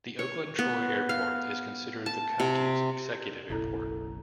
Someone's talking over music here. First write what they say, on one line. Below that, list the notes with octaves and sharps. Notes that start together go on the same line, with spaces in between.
The Oakland-Troy Airport is considered the County's 'executive' airport.
C#5
B3
F5
A5
C3
F#1 B1 E4 A4 A#5